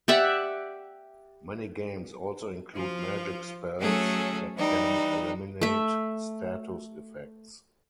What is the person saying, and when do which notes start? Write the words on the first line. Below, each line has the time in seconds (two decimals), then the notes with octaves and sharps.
Many games also include magic spells that can eliminate status effects.
0.08 G4 D5 E5 F#5
2.74 F3 F4
3.80 F#3 A3 C#4 G#4 A4
4.57 E3 G3 D#4
5.61 A3 E5